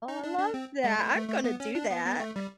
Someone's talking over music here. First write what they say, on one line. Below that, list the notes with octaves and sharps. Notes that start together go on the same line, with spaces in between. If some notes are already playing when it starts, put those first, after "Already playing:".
I love that. I'm gonna do that.
D#4
D4
D4
C4
G#3
A3
A3
A3
B3
C#4
D4
B3
B3
A3
G3